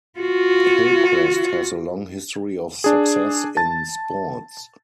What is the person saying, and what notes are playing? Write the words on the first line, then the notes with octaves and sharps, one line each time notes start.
Hillcrest has a long history of success in sports.
F4 F#4
D4 G#4
A5 A6